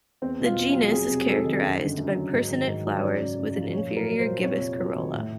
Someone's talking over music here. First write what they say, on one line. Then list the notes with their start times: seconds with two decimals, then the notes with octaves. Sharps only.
The genus is characterized by personate flowers with an inferior gibbous corolla.
0.22 E2 C4
0.40 B2
0.46 F4
0.57 E2
0.70 F4
0.74 F#3
0.92 F2 G#4
1.09 C3
1.27 F#3 A4
1.45 D#3
1.62 F#2
1.81 D3
1.98 F#2
2.15 F#3
2.33 G#2
2.51 D#3
2.68 G#2
2.86 F#3
2.97 C#5
3.03 F#2 D5
3.20 C#3
3.39 F#2
3.56 F3
3.73 A#2 C#5
3.91 F#3
3.97 A#4
4.08 F#3
4.20 C5
4.26 A#2
4.44 F2 C#5
4.61 C3
4.79 F#3
4.96 D#3
5.14 A2